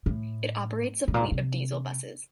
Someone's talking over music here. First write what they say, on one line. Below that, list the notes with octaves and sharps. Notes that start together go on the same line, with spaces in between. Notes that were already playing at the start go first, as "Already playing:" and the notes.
It operates a fleet of diesel buses.
A2
A2
A#2
C3